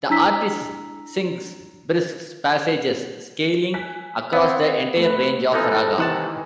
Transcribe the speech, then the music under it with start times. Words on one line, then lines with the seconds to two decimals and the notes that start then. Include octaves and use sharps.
The artist sings brisks passages scaling across the entire range of raga.
0.10 D4 E4 A#5 E6 B6
3.74 G#5 F#6 B6
4.33 B3 C4 C#5 F5
4.97 A3 B4
5.53 E3 F3 D#4 A4 G#5
5.98 C3 D#3 E3 F#5 A5 E7